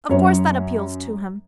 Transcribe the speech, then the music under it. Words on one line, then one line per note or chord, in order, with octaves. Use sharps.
"Of course that appeals to him."
F#2 C#5